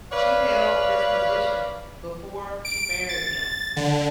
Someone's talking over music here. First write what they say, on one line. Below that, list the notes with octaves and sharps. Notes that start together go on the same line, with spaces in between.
She held this position before she married him.
B4 C#5 D5 F5
D7
A6
D3